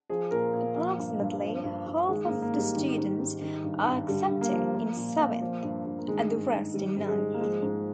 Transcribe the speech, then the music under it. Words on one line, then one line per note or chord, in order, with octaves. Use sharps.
Approximately half of the students are accepted in seventh, and the rest in ninth.
F3 G#4
A#2 A#4
A#2
F3 A#3
G2
G2
F3
G2
G2
D#3 G#3
A#3
G#2
A#3
G#2 G3
D#3
G#2
G#2
D#3
G2
G2
D3 G3
G2
A#3
F3
F3 A#3
A#2
A#2
F3
G2
G2
A#3
D#3 G#3
G#2
G#2
D#3 G3
G#2
G#3
G#2
A#3
F3 G#3
G#2